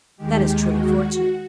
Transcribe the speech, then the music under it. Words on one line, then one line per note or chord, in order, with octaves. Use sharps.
"That is truly fortunate."
D#2 D#3 G#3 G4
F#4